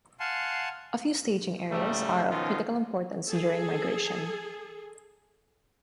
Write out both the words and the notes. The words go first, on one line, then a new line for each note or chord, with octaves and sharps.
A few staging areas are of critical importance during migration.
F5 F#5 G#5 A5 C6
G#2 C#3 G3 A3
B2 D#3 F3 C#4 F4
G#4 A4